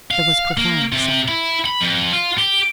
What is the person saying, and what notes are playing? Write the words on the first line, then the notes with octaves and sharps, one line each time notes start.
There was profound silence.
F5
A#3
C3
E4
B5
F2
F4
G4